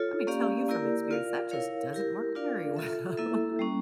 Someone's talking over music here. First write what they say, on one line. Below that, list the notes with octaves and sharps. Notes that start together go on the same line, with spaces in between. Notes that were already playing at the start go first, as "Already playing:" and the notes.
let me tell you from experience, that just doesn't work very well.
Already playing: F4 A4 C#5
A#3 C#4 G4 D5 F5
A#3 E4 G4 A#4 D5
F4 A#4 D5 F5
E4 A#4 C#5 F5
E4 G4 A#4
D4 F4 A#4 D5 F5
F4 A4 E5
A#3 E4 A4 E5
G3 A#3 C#4